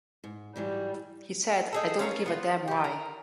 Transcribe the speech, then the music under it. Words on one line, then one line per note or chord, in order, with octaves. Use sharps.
He said, I don't give a damn why.
G#2
G#2 E3 F#3 G3
D#4 G#4 A4
C#4 F4 A4 A#4
B3 F4
F3 G4
A#4